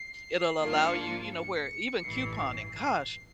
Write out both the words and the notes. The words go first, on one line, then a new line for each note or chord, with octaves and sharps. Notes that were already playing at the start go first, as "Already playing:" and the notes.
it'll allow you You know, where even couponing, gosh,
Already playing: C7
G#2 F3 A#3 D4 F4 C7
C#7
C#7
A1 G2 E3 C7
C7